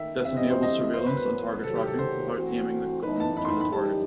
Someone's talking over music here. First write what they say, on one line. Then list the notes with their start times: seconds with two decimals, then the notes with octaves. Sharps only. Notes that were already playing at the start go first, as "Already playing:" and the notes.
This enables surveillance and target tracking without aiming the gun to the target.
Already playing: D#3 E5 G5
0.24 G2 E3 G3 C4 E5
0.37 D#5
0.50 C5
0.63 D#5
0.94 F#2 E3 B3 C5
1.07 B4
1.17 B4
1.64 C3 D#3 F#3 A4
1.75 G4
1.87 A4
1.99 C5
2.34 E3 A3 C4 F#4
3.02 F#2 E3 B3 D#4 B4
3.20 A5
3.37 B5
3.45 C6
3.49 B5
3.61 B5
3.71 F#2 E3 G3 D#4 G4 A5